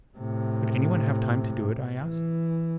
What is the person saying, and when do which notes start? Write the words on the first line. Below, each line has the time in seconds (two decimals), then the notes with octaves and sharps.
"Would anyone have time to do it?" I asked.
0.18 A2 C3
2.03 E3